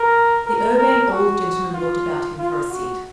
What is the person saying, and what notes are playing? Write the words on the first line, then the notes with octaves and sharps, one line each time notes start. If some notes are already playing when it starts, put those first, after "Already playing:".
The Urbane Old Gentleman looked about him for a seat.
Already playing: A#4
A#4
A#4
F#4
F4
F4
F#4